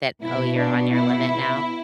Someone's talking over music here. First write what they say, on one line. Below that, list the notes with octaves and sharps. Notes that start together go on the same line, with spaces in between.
that, "Oh, you're on your limit now."
B2 E4
D4
E4